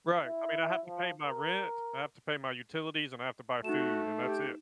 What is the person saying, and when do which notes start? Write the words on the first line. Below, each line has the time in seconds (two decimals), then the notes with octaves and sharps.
Right, I mean, I have to pay my rent, I have to pay my utilities, and I have to buy food, and that's it.
0.24 E4
0.85 F3
1.23 A#4
3.64 A3 D#4 F#4 E7
4.22 G4